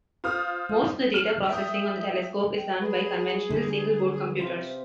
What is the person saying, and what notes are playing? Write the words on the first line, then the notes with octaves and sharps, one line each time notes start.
Most of the data processing on the telescope is done by conventional single-board computers.
F4 C5 D#6 F6
F6
E5 G5 D#6
G5
G#4 B4
D3 G3
C3 C5 E5 F5